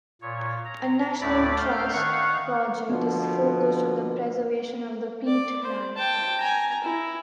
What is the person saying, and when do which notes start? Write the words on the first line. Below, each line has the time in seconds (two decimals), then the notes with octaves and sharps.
A National Trust project is focused on the preservation of the peatland.
0.22 A#2 C#5
0.65 A#5
1.21 D2 A2 E4 D5 B5 D6
1.57 A3 F5 F6 G6
1.93 D#3 F5 F#5 C#6
2.90 B2 D3 F3 B3
5.27 D5
5.63 C5
5.97 G5 A5
6.40 G#5 A#5
6.84 E4